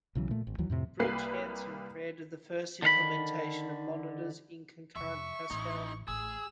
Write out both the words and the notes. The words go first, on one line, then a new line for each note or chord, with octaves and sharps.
Brinch Hansen created the first implementation of monitors, in Concurrent Pascal.
B1 C#3 E3 F#3
A#2 A3
G#1
D2 D#3 E3 F#3
F2 A2 C3
C2 A#3 B4 C7
D3 D#3 F5 B5
F2 C3 E5 C#6
A1 D#4 E4
A1 A2 G#4 E6